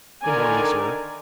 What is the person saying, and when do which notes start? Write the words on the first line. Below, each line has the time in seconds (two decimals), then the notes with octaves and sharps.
Good morning, sir.
0.23 D3 D#3 A#4 D5 G#5